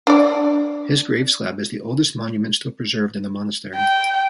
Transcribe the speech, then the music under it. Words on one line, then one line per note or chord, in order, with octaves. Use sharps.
His grave slab is the oldest monument still preserved in the monastery.
D4 D5
G5